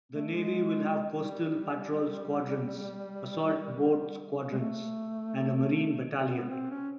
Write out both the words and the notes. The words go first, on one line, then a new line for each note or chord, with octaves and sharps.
The navy will have coastal patrol squadrons, assault boat squadrons and a marine battalion.
A3
G#3
G3
G#3
A3
B3
C4
C#4